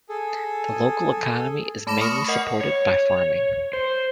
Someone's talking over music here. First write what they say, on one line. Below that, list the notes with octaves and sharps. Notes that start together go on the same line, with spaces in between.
The local economy is mainly supported by farming.
G#4 A4
A3 A5 B5 D6 A#6 E7
C#6 D#6 F6 C#7
A#4 D#5 F#5 C7
C#5
C5